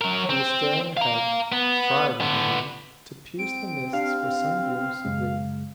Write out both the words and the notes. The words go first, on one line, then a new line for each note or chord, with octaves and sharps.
He was staring ahead, striving, I knew, to pierce the mists for some glimpse of Ruth.
F#3 A#4
C4
F5 A#5
B3
D3 B3
C4 D7
D4 G4 F5
F#2 C#3 G#3